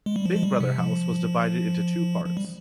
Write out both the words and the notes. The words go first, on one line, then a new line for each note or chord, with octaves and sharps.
Big Brother house was divided into two parts.
G#3
G3
F3
G#3
G3
C3
F3
F3
G3